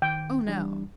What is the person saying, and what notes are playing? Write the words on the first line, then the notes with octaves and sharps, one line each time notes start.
"Oh no."
D#3 G5
E3 G3 D4